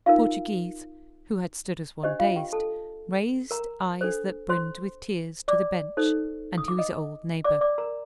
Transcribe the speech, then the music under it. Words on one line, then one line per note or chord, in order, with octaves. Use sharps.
Portoghese, who had stood as one dazed, raised eyes that brimmed with tears to the bench and to his old neighbor.
D#4 F4 A#4 F5
D4 G4 C5 D#5
F4 F5
G4 G5
A4 A5
A#4 A#5
D4 A4 C5
C5 C6
D5 D6
D#4 A4 C5
D#6
D6
D#5 D#6
D5 D6
D5 D6
A#4 A#5